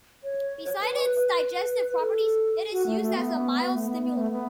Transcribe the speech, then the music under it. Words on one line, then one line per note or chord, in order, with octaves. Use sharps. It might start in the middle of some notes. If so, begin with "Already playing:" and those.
Besides its digestive properties, it is used as a mild stimulant.
C#5
B4
B4
A4
F#4
A3
A3
B3
A3
B3
B3
A3
B3